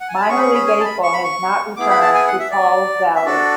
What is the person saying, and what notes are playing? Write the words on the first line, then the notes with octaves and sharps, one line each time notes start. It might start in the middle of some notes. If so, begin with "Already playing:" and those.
Minor league baseball has not returned to Pauls Valley.
F#5
G#5
A5
B5
C#4 G#4 C#6
B5
C#6
B5
G#5
A5
B5
C#6
B5
C#6
B3 E4 G#4 D6
B5
A5
G#5
F#5
E5
D5
E5
D4 F#4 A4 D5